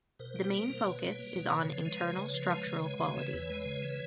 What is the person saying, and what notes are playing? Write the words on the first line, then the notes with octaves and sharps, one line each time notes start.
The main focus is on internal structural quality.
B2 A#4 C5
G3
A#3
B2
B2 B4 C#5
G3
A#3
B2
C#3
F3
G#3
C#3
C#3 B4 C#5
F3
G#3
C#3
G#3
C#3
E3
E2
G#3
C#3
E3